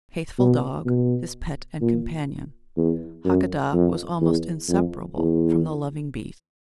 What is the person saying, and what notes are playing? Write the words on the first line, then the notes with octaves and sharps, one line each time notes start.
His faithful dog, his pet and companion--Hakadah was almost inseparable from the loving beast.
B2
B2
A#2
E2
F#2
F2
E2
F2
E2